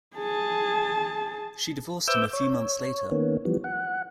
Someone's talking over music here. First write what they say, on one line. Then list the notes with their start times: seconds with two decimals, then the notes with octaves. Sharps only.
She divorced him a few months later.
0.16 G#4 A5
2.07 B4 C5 E5 D6 E6 G6
2.33 C#5
3.11 D#3 A#3 B3 C#4
3.45 E3 F3 G3 B3
3.64 F#5